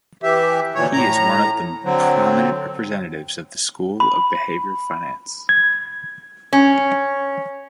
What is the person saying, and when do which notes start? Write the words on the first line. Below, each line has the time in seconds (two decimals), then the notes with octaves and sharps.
He is one of the prominent representatives of the school of behavioral finance.
0.23 E3 G4 E5
0.75 D2 A#2 E3 C#5
0.93 A2 A#5
1.84 D3 F#3 C4
4.00 B5
5.49 G#6
6.53 C#4